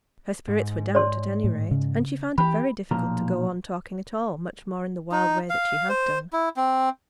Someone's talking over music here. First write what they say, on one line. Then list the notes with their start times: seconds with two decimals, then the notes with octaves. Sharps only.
Her spirits were damped, at any rate, and she found it very difficult to go on talking at all, much more in the wild way that she had done.
0.48 G#2
0.95 C#5 D5 C6
1.44 A2
1.71 C#3
2.38 E3 G4 B5
2.91 B1 A#2 F3 A#5
5.12 D#4
5.50 F5
5.89 C5
6.33 E4
6.57 C4